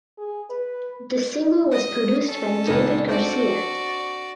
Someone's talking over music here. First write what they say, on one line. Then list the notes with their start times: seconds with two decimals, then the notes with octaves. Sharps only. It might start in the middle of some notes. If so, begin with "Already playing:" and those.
The single was produced by David Garcia.
0.18 G#4
0.50 B4
1.71 D#5
2.27 C#4 A4
2.67 C#2 A#2 D#4
3.08 C4 D4 F#4 A4 D5